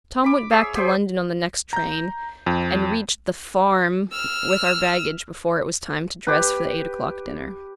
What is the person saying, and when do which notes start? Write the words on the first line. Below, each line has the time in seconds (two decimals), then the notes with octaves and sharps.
Tom went back to London on the next train, and reached the "farm" with our baggage before it was time to dress for the eight-o'clock dinner.
0.24 B5 D6
0.51 G#4 C#5 E5 E6
0.75 G4 G#4 C5 G5
1.73 A#5 G6
2.46 F2
4.12 E6 F6
6.27 G4 B4